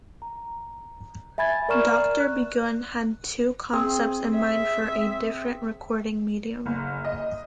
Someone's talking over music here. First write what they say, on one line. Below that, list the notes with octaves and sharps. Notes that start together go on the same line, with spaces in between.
Doctor Begun had two concepts in mind for a different recording medium.
A#5
E5 G#5 B5 G#6 A6
A#4 D5 A#5 C#6 F6 E7
F#6
C4 G#4
E5
F#1
D#5